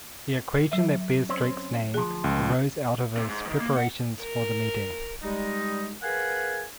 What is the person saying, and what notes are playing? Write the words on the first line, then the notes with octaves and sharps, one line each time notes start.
The equation that bears Drake's name arose out of his preparations for the meeting.
F#3 E5
C4 C#4 C5
D2 F3 G#4
C#2
C3
G#2
D#3
A#3
F#5
A#4
G3 G#3 D#4
G#4 A#4 B4 F5 F#5 G#5